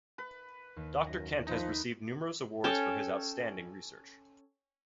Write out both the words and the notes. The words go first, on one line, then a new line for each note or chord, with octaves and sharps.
Doctor Kent has received numerous awards for his outstanding research.
B4
D#2
F#2 A#6
F3 D#4 B4
C#4 A4 G5 A5